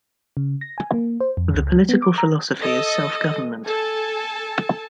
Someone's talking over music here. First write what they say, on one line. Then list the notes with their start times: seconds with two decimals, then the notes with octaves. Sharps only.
The political philosophy is self-government.
0.37 C#3
0.61 A#6
0.78 G#5
0.94 A#3
1.20 C5
1.37 F2
1.55 C#2
1.76 F#3
1.89 B3
2.02 D6
2.18 A#5
2.60 A4 D#5
3.65 A4 G#5 A5